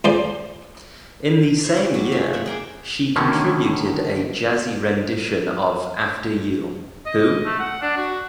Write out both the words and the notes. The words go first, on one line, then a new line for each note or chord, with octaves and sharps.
In the same year, she contributed a jazzy rendition of After You, Who?
C#2 C5 D5
E4 C5 C#5
G#3 G4 C#5 F#5
F#3 G4 B4
A3 F4 G#4
A#4 E5 F#5
G#4 G5 A#5 D6
B2 D3 D#3 A3 A#3 C#4
D#5
A3
F#5
D4
F#4